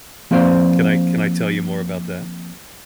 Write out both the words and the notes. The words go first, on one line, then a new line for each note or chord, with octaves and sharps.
Can I can I tell you more about that?
F3 A#3 C4 F#4 C5 D5